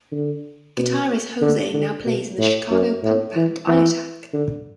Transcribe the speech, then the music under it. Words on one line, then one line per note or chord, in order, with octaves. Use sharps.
Guitarist Jose now plays in the Chicago punk band I Attack.
D3
B2
D3
D3
B2
A2
F#2
A2
E3
E3
D3